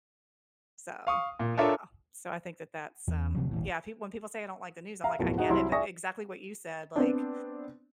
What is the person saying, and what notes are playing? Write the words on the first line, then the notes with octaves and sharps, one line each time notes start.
So, yeah. So, I think that that's, um, yeah, pe when people say, "I don't like the news," I'm like, "I get it," but exactly what you said, like,
F5 C#6 D#6
A#2
D4 F4 A4 A#4 C#5 E5
E2
D1 C3 F3 F#3
D#1 A1 A2
E5 F5 A#5
D1 F2 B2 E4 A#4
D#4 F#4 G#4 F#5
C2 F#3 E4 C6
D5 E5 G#5 C#6 D#6 A#6
B3 C4 D4